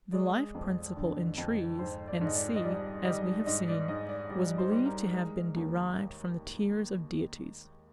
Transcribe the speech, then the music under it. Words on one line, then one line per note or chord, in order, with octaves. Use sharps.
The life principle in trees, &c., as we have seen, was believed to have been derived from the tears of deities.
G#3 D5
F2
D3
F2
G#2 C5
D5
G#2 D#5
D5
D#5
G3 D5
G3 D#5
G#2 D#5
D5
G#2 D#5
D5
G3 D5
C5
G3
A#4
G#3 A#4
D#2